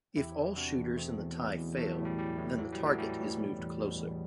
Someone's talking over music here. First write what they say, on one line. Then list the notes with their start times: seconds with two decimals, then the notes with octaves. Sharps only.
If all shooters in the tie fail, then the target is moved closer.
0.16 E2 E4 G4
0.37 E3
0.57 C3 D4 F#4
0.78 E2
0.97 B2 A3 C4
1.18 E2
1.38 B2
1.57 E2
1.77 E3 F#3 A3
1.91 G3
1.98 A2
2.05 G3
2.18 E3 G3
2.39 A2
2.59 E3 F#3
2.72 G3
2.78 A2
2.86 F#3 A3
2.98 E3 G3
3.19 A2
3.40 B2
3.59 E2
3.80 B2
3.99 E2